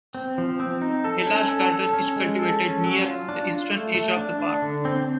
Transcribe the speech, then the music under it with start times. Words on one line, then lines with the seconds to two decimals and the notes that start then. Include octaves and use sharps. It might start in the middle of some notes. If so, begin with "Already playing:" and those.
A large garden is cultivated near the eastern edge of the park.
0.15 C4
0.38 F3
0.60 C4
0.82 D#4
1.04 A4
1.26 C#4
1.49 A4
1.72 A4
1.93 C#4
2.16 G#3
2.39 A4
2.61 C#4
2.84 F#3
3.06 F4
3.29 D4
3.50 F4
3.73 A3
3.95 A3
4.17 D4
4.40 D4
4.62 D3
4.85 C4